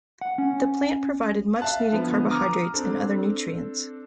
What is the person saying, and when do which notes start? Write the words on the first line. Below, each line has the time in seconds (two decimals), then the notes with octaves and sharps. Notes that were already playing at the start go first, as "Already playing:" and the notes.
The plant provided much needed carbohydrates and other nutrients.
0.21 F#5
0.38 C#4
1.61 E5 F5 A5 F#6
1.91 D3 F3 B3
2.31 A#5 D6 D#6 F6
2.74 C4 D4 A4